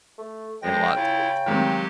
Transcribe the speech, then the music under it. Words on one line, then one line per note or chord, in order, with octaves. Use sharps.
in lot states.
A3
F2 F3 G#3 G5 A#6
C#3 E4 F4
D#3 F#3 G#3 C4 G4